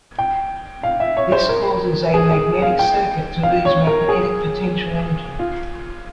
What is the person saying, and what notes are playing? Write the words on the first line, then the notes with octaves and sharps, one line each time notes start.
This causes a magnetic circuit to lose magnetic potential energy.
G5
F5
E5
C#5
C5
A#4
G#4
G#4
F5
G5
F5
C#5
A#4
G#4
F4